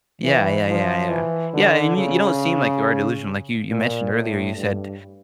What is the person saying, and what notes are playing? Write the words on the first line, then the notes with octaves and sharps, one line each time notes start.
Yeah. Yeah, yeah, yeah. Yeah, and you you don't seem like you are delusional, like, you you mentioned earlier, you said,
E3
F3
E3
D3
C#3
A#2
A2
G2